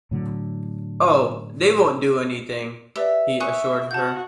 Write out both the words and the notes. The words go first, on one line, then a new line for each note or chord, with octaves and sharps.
"Oh, they won't do anything," he assured her.
A2 D3 F#3
G4 B4 D5 E5
E5 G#5 C#6 D#6 F#6
F#4 A5 G6